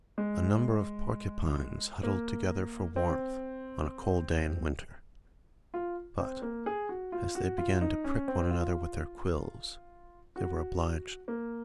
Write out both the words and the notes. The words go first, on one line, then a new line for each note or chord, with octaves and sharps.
A number of porcupines huddled together for warmth on a cold day in winter; but, as they began to prick one another with their quills, they were obliged to disperse.
G#3
A#3
C4
F4
C4
A#3
G#4
F#4
F4
F#4
F4
D#4
C#4
C4
F4
F#4
A#3